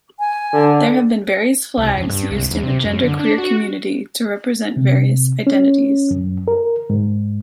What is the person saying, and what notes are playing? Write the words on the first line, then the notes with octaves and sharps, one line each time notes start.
There have been various flags used in the genderqueer community to represent various identities.
G#5
D3
C2
F2
G2
C2
E2
C3
F#2
D3
D4
F#4
C3
C#4
F#2
A#4
G#2